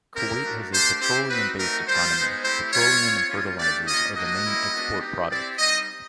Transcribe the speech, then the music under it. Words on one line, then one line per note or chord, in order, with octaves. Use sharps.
Kuwait has a petroleum-based economy, petroleum and fertilizers are the main export products.
C4 E4 G4 A#4
A3 D4 F#4
A3 D4 G4 C5
C4 E4 G4 C5
C4 D#4 F#4 B4
A3 C4 D#4 F#4 A#4
G3 C4 F4 C5
G#3 B3 D#4
A3 C4 E4 G4 C5
G3 C4 F4 C#5
C4 F4
G3 A#3 C#4 F4
A3 D4 G4 D5
A#3 C#4 F4 D#5
A#3 D4 F#4 D#5
G3 A#3 C#4 E4
G#3 B3 D4 F#4
B3 D#4 G4
C4 E4 G4 D5
G3 C4 D#4 D#5